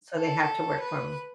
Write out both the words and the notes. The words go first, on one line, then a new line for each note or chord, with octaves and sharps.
So, they have to work from
A4
B4